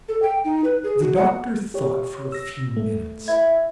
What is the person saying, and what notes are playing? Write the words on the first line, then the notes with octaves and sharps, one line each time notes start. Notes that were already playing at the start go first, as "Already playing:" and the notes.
The doctor thought for a few minutes.
A4
G5
D#4
B4
G#4
F#4
F#5
G4 C#5
E6 A#6
A3
E4 G#6